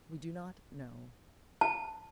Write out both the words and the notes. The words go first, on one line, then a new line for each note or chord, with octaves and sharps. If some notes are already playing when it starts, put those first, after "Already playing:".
We do not know.
A5